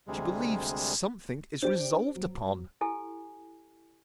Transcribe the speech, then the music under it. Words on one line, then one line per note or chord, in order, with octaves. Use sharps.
She believes something is resolved upon.
D2 C3 G3 G#3
D4 G4 C5 D7
F#3
E4 G4 A4 G#5